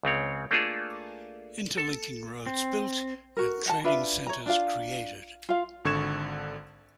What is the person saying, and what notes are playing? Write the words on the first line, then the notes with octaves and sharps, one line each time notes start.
Interlinking roads built and trading centers created.
C#2 C#3 C4 C#5
A3 A#3 D4 F4 G#4 A4
A4
C4
F#4 A#4
D#5 F#5 A5
D4 F4 B4 E5
C#5 A#5
D4 F4 F5
F4 F5
G#1 D3 C#6 G#6 E7